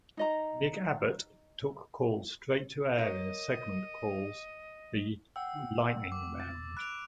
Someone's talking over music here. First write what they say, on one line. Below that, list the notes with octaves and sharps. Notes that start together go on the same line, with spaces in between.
Nick Abbot took calls straight to air in a segment calls the "Lightning Round".
D#4 D#5 A#5
A#4 C#5 D#5
F#5 G5 E6
D6
A6
B5 F#6 D7 F7